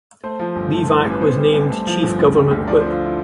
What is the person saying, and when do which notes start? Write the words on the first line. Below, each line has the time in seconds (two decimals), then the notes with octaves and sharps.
Levac was named chief government whip.
0.23 A3 C5
0.39 F3
0.56 G1
0.72 A3
0.88 E3
1.04 A1
1.11 B4
1.21 B3 C5
1.38 G3
1.53 C2
1.70 A3
1.87 F3
2.03 G1
2.18 D2
2.35 G3
2.51 D2
2.67 F3 D5
2.80 C5
2.85 D3
2.92 F4
3.05 E4